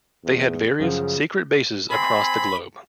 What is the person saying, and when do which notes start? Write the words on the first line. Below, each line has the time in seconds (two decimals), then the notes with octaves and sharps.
They had various secret bases across the globe.
0.24 E2
0.80 F#2 C#3 F3 F5
1.90 C4 G#5 B5